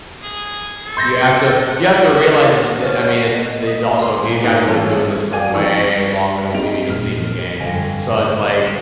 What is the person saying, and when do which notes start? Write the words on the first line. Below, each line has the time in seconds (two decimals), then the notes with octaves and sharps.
You have to you have to realize tha I mean, it's these also these guys have been doing this for way longer than we've even seen the game. So it's like,
0.22 G#4
0.85 A4
0.97 C6 G6 A#6
1.68 F#5
2.10 F#4
2.55 F#4
2.85 C#4
3.07 F#4
3.33 B2
3.67 D#5
4.02 C6
4.24 A#2
4.44 G#2 A#3
4.68 G#1 E3 A3 F4 C#5 A5
5.32 D5 F5 G5 G#5
5.55 F2 D#3 C#6 E6
6.54 C4 D#4 G#4 D7 F7
6.89 D#1 F6
7.59 G1 F5 G#5 A#6